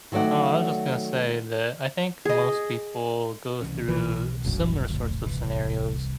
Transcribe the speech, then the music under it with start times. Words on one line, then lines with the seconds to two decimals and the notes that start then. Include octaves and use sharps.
Oh, I was just gonna say that I think most people go through similar sorts of scenarios
0.12 D#3 F#3 A3 D5 F#5
2.25 G#4 D#5
3.62 C2 E3 C#4
3.88 B1 E3
4.44 D#1 A#1 F#2
4.90 D2 A2
5.25 C2 E3